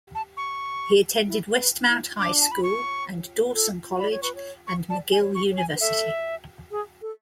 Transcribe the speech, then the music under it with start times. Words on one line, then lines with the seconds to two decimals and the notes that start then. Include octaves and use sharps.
He attended Westmount High School and Dawson College and McGill University.
0.15 A5
0.37 C#6
1.27 E4
1.58 B4
1.88 E4
2.19 D4 D6
2.41 A5
2.51 B5
2.63 C#6
3.48 B4
3.54 A4
3.99 D5 B5
4.11 C#5
4.22 B4 C#6
4.35 C#5
4.67 C#6
4.90 D5 A5
5.12 G#5
5.20 C#5
5.35 C#6
5.51 C#5
5.58 G#5
5.75 B4
5.80 A4 E5
6.71 G#4
7.02 A4